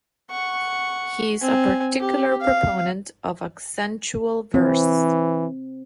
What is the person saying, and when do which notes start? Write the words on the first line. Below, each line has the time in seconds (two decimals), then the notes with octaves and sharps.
He is a particular proponent of accentual verse.
0.30 F#5 C#6
1.41 C4 G#5
2.00 G4
2.41 F5
4.54 E3 C4